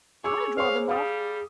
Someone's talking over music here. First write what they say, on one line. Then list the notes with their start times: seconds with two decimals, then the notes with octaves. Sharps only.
I'll draw them off!
0.24 G#4 C#5 D6 E6
0.57 C5 C#5 F5 C#6
0.89 G3 F5 D#6